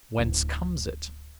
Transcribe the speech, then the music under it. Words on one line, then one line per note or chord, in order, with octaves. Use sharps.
Whence comes it?
D1